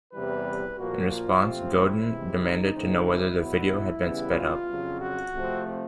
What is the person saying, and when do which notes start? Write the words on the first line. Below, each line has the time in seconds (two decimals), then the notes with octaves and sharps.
In response, Godin demanded to know whether the video had been sped up.
0.13 E2 C3 E3 G3 B4
0.78 A#2 F3 A#3 F#4
1.10 F4
1.43 C3 F3 A3 C4
1.76 E4
2.08 C3 E3 G#3
2.41 D#4
2.73 F2 C#3 E3 G#3 C4
3.06 E4
3.38 B2 F#3 B3 E4
4.04 C#3 E3 G3 B3
4.35 F4
4.69 F2 C#3 F#3
5.01 F#4
5.34 C3 F3 A3 C4